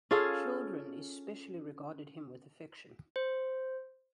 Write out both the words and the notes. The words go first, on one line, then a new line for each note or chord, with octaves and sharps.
Children especially regarded him with affection.
C#4 F4 G#4 A4
C5